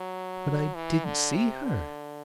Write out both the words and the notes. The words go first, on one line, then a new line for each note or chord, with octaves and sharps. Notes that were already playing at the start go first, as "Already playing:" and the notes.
"But I didn't see her."
Already playing: F#3
E3
D3
C3
D3